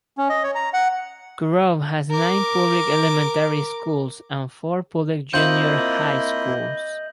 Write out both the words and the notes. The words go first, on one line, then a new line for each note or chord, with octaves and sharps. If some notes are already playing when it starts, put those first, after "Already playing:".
Kurobe has nine public elementary schools and four public junior high schools.
C#4
D#5
C#5
A#5
F#5
A#4 D6
A#3 C4 E4 F4 C5 D#5 G6 F#7